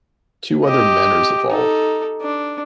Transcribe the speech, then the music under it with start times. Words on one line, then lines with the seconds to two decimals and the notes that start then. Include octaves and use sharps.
Two other manors evolved.
0.65 G4 D#5
1.50 D#4 A4
2.21 D4